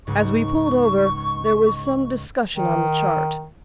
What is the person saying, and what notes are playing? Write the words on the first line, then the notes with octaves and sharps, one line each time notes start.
As we pulled over, there was some discussion on the chart.
C#2 G#2 C#6
D#3